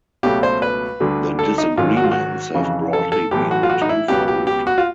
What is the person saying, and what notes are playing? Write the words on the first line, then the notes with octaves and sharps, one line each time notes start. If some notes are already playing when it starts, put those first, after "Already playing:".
The disagreements have broadly been two fold.
C#2 B2 F#3 A3 G4
C5
B4
D2 D3 G3
A4
D#4
G#2 D#3 F#3 F4
F#4
F4
F#4
F2 C#3 E3
A4
A4
B1 A2 E3 G4
F#4
F4
F#4
D#4
E4
C#2 B2 F#3 B3 G4
G4
G4
F#4
F4